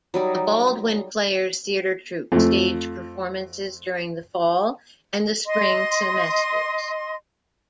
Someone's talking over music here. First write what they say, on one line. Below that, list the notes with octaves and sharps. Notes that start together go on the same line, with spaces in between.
The Baldwin Players theatre troupe stage performances during the fall and the spring semesters.
F#3 G3 D#4
F2 A3
D#5 C6